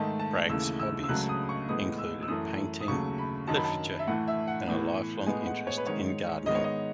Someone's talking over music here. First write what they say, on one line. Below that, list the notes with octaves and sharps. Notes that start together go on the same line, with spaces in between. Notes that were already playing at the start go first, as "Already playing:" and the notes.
Bragg's hobbies included painting, literature and a lifelong interest in gardening.
Already playing: G#2 D#3 A3 A5
A5
D#2 C#3 E3 A3 E6
E6
E6
C#2 C#3 F#3 A3 F#6
D#6
C#6
A2 E3 G#3 B3 D#6
E6
E6
F#2 E3 A3 D#6
D#6
D#2 C#3 F#3 A3 C#6
B5
F#2 D#3 F#3 A5
B5
A5
E5
A2 E3 A3 F#5
E5
F#5
A2 E3 B3
A2 G#3 B3 G#5
F#5
C#5
B4
G#2 D#3 G#3 C#5
G#2 D#3 G#3 B3 D#5
C#5
D#5